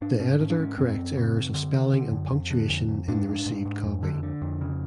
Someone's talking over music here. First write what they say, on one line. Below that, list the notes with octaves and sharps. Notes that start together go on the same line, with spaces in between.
The editor corrects errors of spelling and punctuation in the received copy.
G#2 D4
G#2 C#4
G#2 C#4
D4
G#2 C#4
F#2 C4
F#2
C#3
F#2
D3
D3
D3
F#2
F2
D3
F2
F2
G#2 D4
G#2
G#2
G#2
F2
D3
D3
F2
C#3